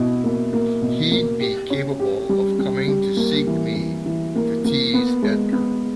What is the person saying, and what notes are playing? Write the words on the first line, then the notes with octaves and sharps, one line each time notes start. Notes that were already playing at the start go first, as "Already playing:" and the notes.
He’d be capable of coming to seek me, to tease Edgar.
Already playing: B2 E4
A#3
A#3
B2
A#3
G4
C#4
G4
G3
G3
G3
A#3
E3
E3
E3
A#3
A#3
B3
G#3
B3